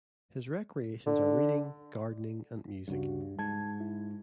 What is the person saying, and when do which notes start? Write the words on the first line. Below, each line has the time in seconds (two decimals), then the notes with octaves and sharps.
His recreations are reading, gardening and music.
1.06 D3
2.88 D2 G2 C#3 F#4
3.39 G#2 A5 G#6
3.80 E4